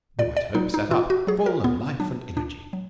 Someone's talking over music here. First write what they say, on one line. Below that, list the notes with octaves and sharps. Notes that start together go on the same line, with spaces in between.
The White Hope sat up, full of life and energy.
A#2 D5
D5
F#3 D#4
D#4
A#2 F4
F#4
F#3 G#4
A#4
A#2 B3
F#3 D4
A#2 D4
F#3